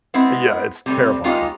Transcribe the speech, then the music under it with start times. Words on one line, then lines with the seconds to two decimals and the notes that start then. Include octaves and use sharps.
Yeah, it's terrifying.
0.14 G#3 B3 C4 E4
0.86 C3 G3 A3 C4
1.24 G#3 A#3 C#4 D#4 F4 G4